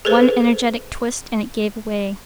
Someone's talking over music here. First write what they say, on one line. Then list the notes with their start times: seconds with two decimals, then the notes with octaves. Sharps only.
One energetic twist and it gave way.
0.05 G#4 A4 B4 C5